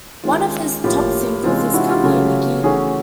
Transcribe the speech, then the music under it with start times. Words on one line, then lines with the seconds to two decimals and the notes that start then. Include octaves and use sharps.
One of his top singles is "Come Here Nikki".
0.24 D#3 G#3 C#4 F4
0.84 A2 F3 A#3 F4 G4
1.44 C3 E3 G#3 C#4 F4
1.59 F4
1.74 E4 F#4
1.89 F4 G4
2.04 C#3 F#3 A3 C#4
2.64 E3 A3 C#4 F#4 G#4